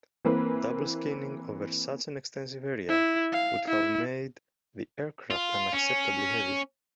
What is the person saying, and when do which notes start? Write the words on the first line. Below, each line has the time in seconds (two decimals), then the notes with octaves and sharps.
Double skinning over such an extensive area would have made the aircraft unacceptably heavy.
0.25 E3 A#3 C4 A#4 B4
2.89 E4
3.33 F5
3.68 E4
5.30 F4
5.74 C#4